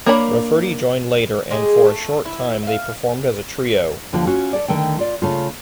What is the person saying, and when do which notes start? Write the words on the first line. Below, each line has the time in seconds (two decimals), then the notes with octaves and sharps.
Rafferty joined later and for a short time they performed as a trio.
0.06 A#3 D4 A#4 C#5 B5
1.51 G#3 G4 G#4
1.85 A3
2.25 E4
2.63 E5 F5
4.13 D#2 D3 F3 F4
4.27 C#4 F4 F#4
4.53 A4 D5
4.68 D3 D#3 A3 G5
4.99 F4 D5
5.22 C#3 A3 F4